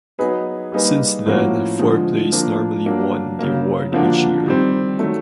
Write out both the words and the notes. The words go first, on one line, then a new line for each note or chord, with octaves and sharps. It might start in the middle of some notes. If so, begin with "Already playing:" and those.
Since then, four plays normally won the award each year.
F#3 B3 D#4 G#4 B4
G3 A#3 D#4 G#4 B4
A2 F3 A#3 C#4 F#4
D3 F3 G#3
F3 A#3 D4
F#3 A#3 D4
C#3 F#3 A#3
D3 F3 A#3 D4 F#4
D#3 G3 C4
D#3 F#3 A3